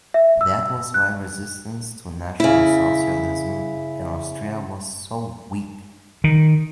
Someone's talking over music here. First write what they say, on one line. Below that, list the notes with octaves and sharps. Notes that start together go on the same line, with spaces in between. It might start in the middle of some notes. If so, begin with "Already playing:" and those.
That was why resistance to National Socialism in Austria was so weak.
E5
E6
F#6
C#3 E4
D#3